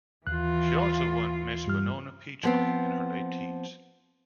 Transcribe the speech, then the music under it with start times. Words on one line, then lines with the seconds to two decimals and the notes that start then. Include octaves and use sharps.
She also won Miss Winona Peach Queen in her late teens.
0.27 D#2 E3 F4 F#6
1.66 G2 G3 F6
2.43 F3 B3 C4